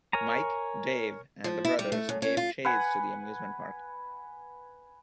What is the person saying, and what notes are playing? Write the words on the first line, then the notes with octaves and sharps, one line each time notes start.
Mike, Dave, and the brothers give chase to the amusement park.
A#4 C#5 G#5 A#5
F3
E4
G3
A3
F#2
C#4
F4
B4 F#5 G#5